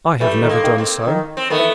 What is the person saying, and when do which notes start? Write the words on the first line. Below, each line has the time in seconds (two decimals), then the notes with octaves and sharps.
"I have never done so."
0.21 E3 G3 A3
0.42 D#3
0.49 G#3 A#3
0.64 D#3
0.78 A#3 C4
1.07 D#3
1.37 C4
1.50 D#3 A3 B3
1.59 E3